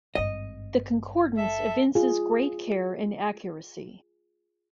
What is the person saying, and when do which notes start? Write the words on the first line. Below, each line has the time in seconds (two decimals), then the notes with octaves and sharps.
The Concordance evinces great care and accuracy.
0.15 G#1 G2 D#5
1.37 A4 E5
1.95 F4 G#4